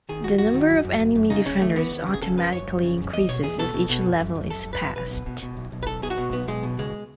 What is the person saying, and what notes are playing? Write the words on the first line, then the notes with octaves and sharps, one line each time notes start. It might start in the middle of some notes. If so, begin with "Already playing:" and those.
The number of enemy defenders automatically increases as each level is passed.
D#3 G#4
D#2 F#4
F#2 F#4
D#3
F#2
F#2
F#2
F#2
C#3 D#4
C#3 C#4
D#2 A3
E3 B3
D#2
C#3
G#4
C#3 A4
F#2 B4
F#2 C#5
F#2
C#3
F#2
E2 D#5
B2 C#5
E2 G#4
B2 A4
B2
B2
F#2
F#2
F#2
F#2 A4
F#2
B4
F#2
B1 B4
B2
B2
B2
B1
B1
B4
B1 A4
B2 G#4
F#4
B2
B1 B3
B1 G#3
B2
C#2 G#3